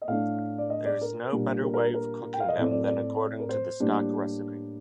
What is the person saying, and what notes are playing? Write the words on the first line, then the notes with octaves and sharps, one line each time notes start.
There is no better way of cooking them than according to the stock recipe.
D#5
A2 A3 D4 F5
D5
D#5
D5
A#4
A#2 G3 D4
A#4
A#4
A#4
G5
F5
D#5
A2 A3 C4 D5
D5
D5
A#4
C5
A2 G3 A#3 D4